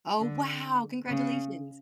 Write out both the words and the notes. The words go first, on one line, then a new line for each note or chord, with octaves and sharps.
Oh, wow! Congratulations.
D3
C#3